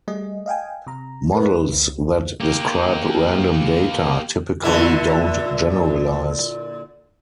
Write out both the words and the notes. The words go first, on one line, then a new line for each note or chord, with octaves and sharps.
Models that describe random data typically don't generalize.
G3 A3 G#4 D#5
D#5 F5 G5 G#5
C3 A#5
A3 A#4 B4
C#2
A#3 G4
A#2 D3 E4